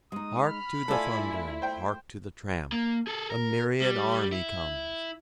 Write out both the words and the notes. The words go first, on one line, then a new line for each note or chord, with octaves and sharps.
Hark to the thunder, hark to the tramp--a myriad army comes!
G#3 D#4 D#6
B5 F6
A3 E4 F4 A4 D5 G#5
C5 G5
A#3
G#4 A4
A#4
G3
E4